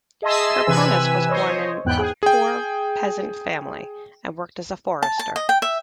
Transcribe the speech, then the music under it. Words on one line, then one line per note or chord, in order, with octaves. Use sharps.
Kirponos was born in a poor peasant family and worked as a forester.
G#4 D#5 E5 A5 C6 E6
C3 E3 B4 G#5 E6
C5 C#5 D#5
E2 G#2 B3 G5 F#6
G#4
G#4 G5
A5
A5
D#5
G5
E5